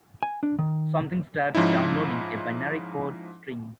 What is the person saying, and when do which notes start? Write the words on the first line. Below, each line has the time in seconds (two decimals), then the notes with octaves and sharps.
Something starts downloading: a binary code string.
0.23 G#5
0.43 D4
0.59 D#3
1.55 G#2 F3 C#4 D#4 E4